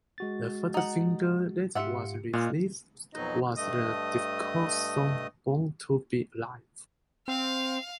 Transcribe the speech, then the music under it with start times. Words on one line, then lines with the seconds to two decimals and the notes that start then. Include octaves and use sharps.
The first single that was released was the disco song "Born to Be Alive".
0.18 G#3 F#4 A6
0.74 D#4 F#5
1.75 G#2 F4 G4 E5 F#5 C#7
2.33 A#2 G#3 D#5 F6 F#6
3.13 F2 B2 F#3 D#4 D#5
3.57 G2 A3 D#5 D#6
7.28 C4 F5